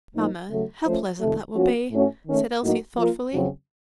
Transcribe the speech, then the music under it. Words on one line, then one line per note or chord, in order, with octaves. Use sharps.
"Mamma, how pleasant that will be," said Elsie thoughtfully.
A2 F3 A#3 D#4
C#3 F#3 A3
F3 A3 C#4 F4 C5
F2 C3 D#3 A3
F3 A#3 C#4 F#4
A2 A3 C#4 F#4
D#3 A3 C#4
A2 F#3 A#3 D#4 F#4
F3 A#3 F4 A#4
F2 C#3 F#3 C4 F#4